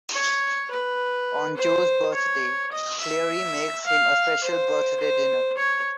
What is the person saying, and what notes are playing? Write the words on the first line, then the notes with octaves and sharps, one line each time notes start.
On Joe's birthday, Claire makes him a special birthday dinner.
C#5
B4
C5
C#5
D#5
E5
F5
C5
C5
C#5